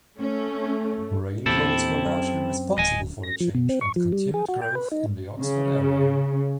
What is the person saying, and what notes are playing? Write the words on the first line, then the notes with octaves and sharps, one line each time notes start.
Railroads were largely responsible for change and continued growth in the Oxford area.
A3 C#4
E2 A#2 C4 E4 G4 A4
F#2
D1 D#5 G#5
A#6
F3
B2
C4
C#6
F3
G3
G#4
F#4
G5
B4
D#4
C#3